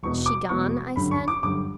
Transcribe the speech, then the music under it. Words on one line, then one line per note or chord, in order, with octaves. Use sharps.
'Is she gone?' I said.
E1 E2 B2 C#6
D6
E1 E2 B2 C#6
G1 F#2 D3 G3 B5
C#6
D6
G1 F#2 D3 G3 D6